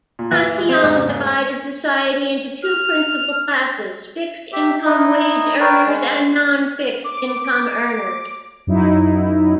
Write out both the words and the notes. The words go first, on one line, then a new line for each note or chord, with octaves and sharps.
Cantillon divided society into two principal classes-fixed income wage-earners and non-fixed income earners.
A#2
E3
G#3
C4
G#2
C#3
G#2
F6
G4 E5
D#4 E4 D#5
A#4 B4 C#5 G5
G#3 C#4
D6
F#2 F#3 D#4 E4